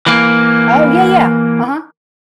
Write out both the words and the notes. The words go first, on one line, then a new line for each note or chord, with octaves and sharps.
Oh, yeah, yeah. Uh-huh.
E3 A#3